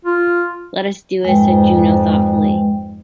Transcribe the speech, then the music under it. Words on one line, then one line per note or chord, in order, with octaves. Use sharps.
"Let us do it," said Juno thoughtfully.
F4
F2 G#2 G#3 B4 G5